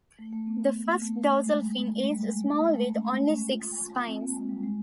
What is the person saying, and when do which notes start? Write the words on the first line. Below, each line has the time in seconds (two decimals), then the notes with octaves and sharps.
The first dorsal fin is small with only six spines.
0.19 A3
0.33 A3
0.47 B3
0.60 B3
0.69 A3
0.74 A#3
1.02 A3
1.30 A3
1.44 G#3
1.57 G3
1.72 G#3
1.85 A3
1.99 G#3
2.13 G3
2.27 G#3
2.41 A#3
2.53 A3
2.64 G#3
2.76 A3
2.96 C#4
3.15 C#4
3.33 C#4
3.52 F4
3.79 F4
4.07 C4
4.21 A#3
4.35 G#3
4.49 G3
4.63 G#3